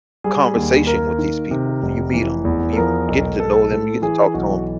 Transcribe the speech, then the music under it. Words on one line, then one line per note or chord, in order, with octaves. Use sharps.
conversation with these people, when you meet 'em, when you getting to know them, you get to talk to 'em.
G3 G#4
D#2
A#3 A#4
D#3
C3
F1
E3
E2
A4
F3 A#4
B1
B1 A4
A2
E3 G#4
B1 F#4